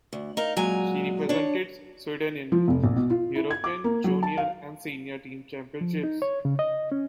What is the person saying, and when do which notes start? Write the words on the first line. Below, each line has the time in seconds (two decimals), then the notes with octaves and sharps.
She represented Sweden in European Junior and Senior Team championships.
0.13 D2
0.37 D#4 A#4 F5
0.56 A#2 F#3 G#3 G#5 A#5
1.29 D4 C#5
2.52 F3
2.68 F1
2.84 A#1
2.96 B2
3.10 F4
3.35 E4
3.51 G#6
3.64 D6
3.84 A#3
4.04 F#3
4.23 A5
4.37 F5
5.81 F3
6.03 D#4
6.22 C#5
6.45 C#3
6.59 D#5
6.92 C#4